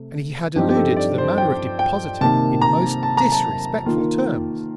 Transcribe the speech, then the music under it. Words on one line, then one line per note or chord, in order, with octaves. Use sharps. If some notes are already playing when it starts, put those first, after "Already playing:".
And he had alluded to the manner of depositing in most disrespectful terms.
Already playing: C3 A3
G2 F3 C4 D#4 G4
G4
A4
D5
C5
G5
G5
C3 D#3 A#3 A5
A#5
A5
A#5
A5
D#3 A#3 F4